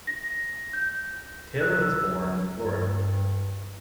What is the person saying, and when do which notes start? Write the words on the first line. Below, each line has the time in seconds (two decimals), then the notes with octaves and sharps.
Tayler was born in Florida.
0.07 A#6
0.73 G6
1.60 F#6
1.82 E6
2.57 G2